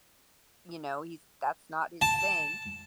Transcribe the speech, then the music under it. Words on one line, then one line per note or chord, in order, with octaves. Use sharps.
You know, he's that's not his thing.
A5